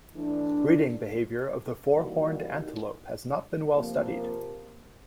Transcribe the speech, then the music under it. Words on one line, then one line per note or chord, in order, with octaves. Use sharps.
Breeding behaviour of the four-horned antelope has not been well studied.
E3 A3 D4
E3 G3 A#3 D#4 F#4
C3 F3 A#3